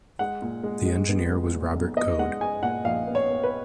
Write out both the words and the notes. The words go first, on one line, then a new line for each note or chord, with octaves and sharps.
The engineer was Robert Coad.
G#3 F#5
A#2
G#3
G#3
B3
G#3
A#2
B1
B3 D#5
G#3 F#5
G#3 G#5
A#2 F#5
A#1 F5
B3
C#5
B3
B4